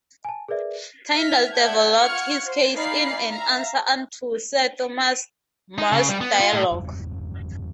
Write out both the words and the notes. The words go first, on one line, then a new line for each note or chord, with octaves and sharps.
Tyndale developed his case in "An Answer unto Sir Thomas More's Dialogue".
G#5 A5
G#4 A#4 B4 D5 E5
E5 F6 B6
D5 E5 F#5 A5 G6 G#6
F4 F#5 C#6 F6 G#6 C#7
C5 C6
D#4 D5 F5 G#5 B5 C7
E5 F5 A#5
D#4
C#3
G3
B3
F4
A2
F#1 E2 G2 G3